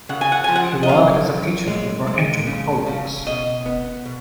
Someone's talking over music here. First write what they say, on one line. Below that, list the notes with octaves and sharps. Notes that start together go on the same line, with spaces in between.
He worked as a teacher before entering politics.
C#3 F#5
G#5
F#5
F3 G#5
F#5
D#5
F#2 F5
F#2
G#3
G#3
C#3
C#3
B2 D#5
B3
B2